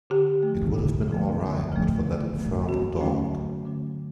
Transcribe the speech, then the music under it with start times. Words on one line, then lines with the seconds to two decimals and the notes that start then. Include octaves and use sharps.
It would have been all right but for that infernal dog.
0.10 D3 G4
0.43 A3
0.48 F3
0.75 D3
1.08 F3 A3
1.40 D3
1.72 F3 A3
2.04 D3
2.36 F3 A3
2.68 G2 F#4
3.01 D3 F#3 A3 C#4
3.33 G2
3.65 D3 F#3 A3 C#4